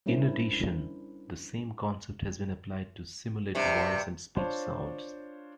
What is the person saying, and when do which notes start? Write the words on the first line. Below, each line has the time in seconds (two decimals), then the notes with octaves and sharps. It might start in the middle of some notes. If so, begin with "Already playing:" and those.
In addition, the same concept has been applied to simulate voice and speech sounds.
0.06 G3 C#4 D4 E4 A#4 C5
3.55 G2 C3
4.35 D4 F4 C5 C#5 F5 A5